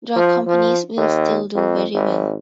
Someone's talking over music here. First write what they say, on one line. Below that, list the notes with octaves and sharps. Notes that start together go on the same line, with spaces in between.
Drug companies will still do very well.
F3
F3
D#2
F2
G#1